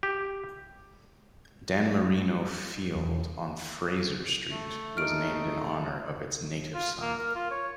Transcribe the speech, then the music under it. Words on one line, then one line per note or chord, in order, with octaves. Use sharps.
Dan Marino Field on Frazier Street was named in honor of its native son.
G4
E2
A3
D#4 F6 D7
F4
A#3
A#4
F4
C#5